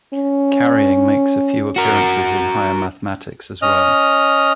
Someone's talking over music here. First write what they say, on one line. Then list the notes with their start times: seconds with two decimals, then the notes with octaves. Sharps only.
Carrying makes a few appearances in higher mathematics as well.
0.14 C#4
1.76 F#4 A#4
3.62 C#4 D#5 F6